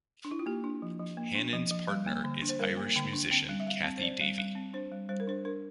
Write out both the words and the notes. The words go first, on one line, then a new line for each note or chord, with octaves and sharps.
Hannon's partner is Irish musician Cathy Davey.
D4
E4
F4
A#3 G4
D4
F3
F3
A#3
D4
F3
F3
G3
A#3
D3
D4
C5
G3 A#4
A#3
D3 G5
D4
C4 G5
G3
E5
G3 F5
C4
C5
C4 D5
G3
G3
C4
D4 C5
G3
G3 C5
A#4
D4 C5
D4 A#4